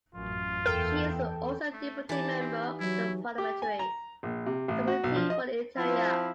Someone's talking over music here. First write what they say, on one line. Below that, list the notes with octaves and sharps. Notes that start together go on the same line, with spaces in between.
She is also a deputy member of the parliamentary Committee for the Interior.
A1 F#2 F4
E2 A4 A#4 G5
A3
E3 D#4 G4 D5 A5
C4
F#3 E4
G4
G#5
A#5
A#1
C3
A1
F#4
B1
F3
D#5
F3 C4 E4